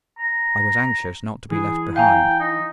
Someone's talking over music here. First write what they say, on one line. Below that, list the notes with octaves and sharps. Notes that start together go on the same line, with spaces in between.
I was anxious not to be left behind.
A#5
E3 G#4
F5 G5 G#5 A#5
D#4